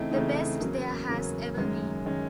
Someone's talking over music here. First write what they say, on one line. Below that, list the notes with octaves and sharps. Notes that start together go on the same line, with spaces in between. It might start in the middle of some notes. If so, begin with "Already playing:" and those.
The best there has ever been.
Already playing: C#3 E3 A3 C4 D#4
C#3 E3 A3 C4 D#4
E2 C#3 F#3 A#3 C#4
E2 C#3 F#3 A#3 C#4
F#2 D#3 G#3 C#4
D#3 G#3 C#4